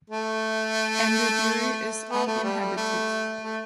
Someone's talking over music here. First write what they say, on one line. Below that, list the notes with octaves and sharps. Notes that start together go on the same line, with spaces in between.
Enderbury is uninhabited.
A3
B3
A3
G3
G3
A3
A3